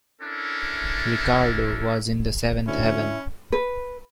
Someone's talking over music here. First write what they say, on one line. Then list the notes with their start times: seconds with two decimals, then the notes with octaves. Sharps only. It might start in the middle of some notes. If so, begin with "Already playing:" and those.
Ricardo was in the seventh Heaven.
0.22 C#4 D4 E4 A4 A#4 E5
2.67 D2 C#4 E4
3.52 B4